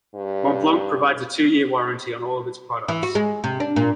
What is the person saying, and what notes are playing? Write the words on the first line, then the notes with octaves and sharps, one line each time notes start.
Montblanc provides a two-year warranty on all of its products.
G2
E3
F#4
G#3
C3
D4
A#2